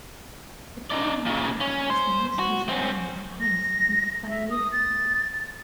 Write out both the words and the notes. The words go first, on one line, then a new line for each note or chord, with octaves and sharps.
The following table has the most recent numbers of coins minted by year.
D#4 D5
A#2 C#3
C#4
C5
F#4
C4 C#4
A#6
E5
D#6
A6